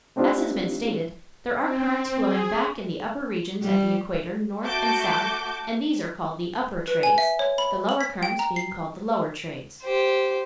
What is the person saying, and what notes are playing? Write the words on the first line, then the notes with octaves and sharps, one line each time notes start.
As has been stated, there are currents flowing back in the upper regions at the equator north and south, and these are called the upper trades--the lower currents being called the lower trades.
A3 C4 D4 D#4 F4 G4
C4
G#4
G3
A3 F#4 A5 D6 G6
B4
G#5
E5
C#5
B5
F#7
B6
G5
A#5
C7
G4 C5